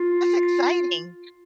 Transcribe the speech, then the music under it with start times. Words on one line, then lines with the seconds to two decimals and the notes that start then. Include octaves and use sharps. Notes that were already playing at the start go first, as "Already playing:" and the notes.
That's exciting.
Already playing: F4